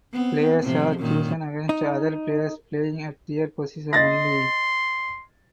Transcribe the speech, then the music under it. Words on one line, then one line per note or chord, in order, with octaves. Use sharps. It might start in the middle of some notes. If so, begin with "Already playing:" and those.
Players are chosen against other players playing at their position only.
B3 C4
A2 C3 F3
F#2 A#2 D#3
D#4
D#5 C6 A6 A#6